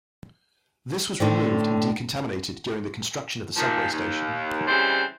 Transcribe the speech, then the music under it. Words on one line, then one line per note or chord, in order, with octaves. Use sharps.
This was removed and decontaminated during the construction of the subway station.
A2 D3 C4
A#2 D#3 F3
D#2
C#3 E3 G3 C4 E4 C5